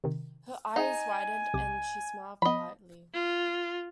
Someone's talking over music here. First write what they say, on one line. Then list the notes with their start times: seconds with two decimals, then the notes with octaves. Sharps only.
Her eyes widened and she smiled politely.
0.04 C3 D#3
0.76 D#4 G#4 E5 G#5
1.54 B1 C3 D6
2.42 F3 B3 D#5 B5
3.14 F4